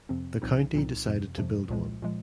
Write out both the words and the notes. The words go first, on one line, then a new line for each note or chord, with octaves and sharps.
The county decided to build one.
F2 C3 F3 C4
C2 A#2 F3 C4 D#4
C2 A#2 F3 C4 D#4
F2 C3 F3
F2 C3 F3
C2 A#2 F3 G#3
A#2 F3 G#3